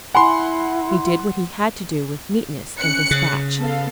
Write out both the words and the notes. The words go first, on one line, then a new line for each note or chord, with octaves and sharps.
He did what he had to do with neatness and dispatch.
E4 F#5 G#5 B5 C6
C#4 F#6 C#7
C#3
B3 A4 F5